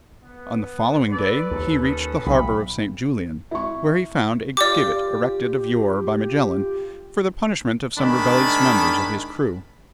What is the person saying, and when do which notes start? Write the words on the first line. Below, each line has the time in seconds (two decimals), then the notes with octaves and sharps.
On the following day he reached the harbour of St. Julian, where he found a gibbet erected of yore by Magellan for the punishment of some rebellious members of his crew.
0.23 B3
1.09 A4 B4 D5
1.51 D#2 A4
1.82 C#4 A4 D#6
2.26 B1 A2 B5
3.51 E4 C#6
4.57 F4 G4 D5 D6
7.97 A2 D#3 G#3 D4 A5 B5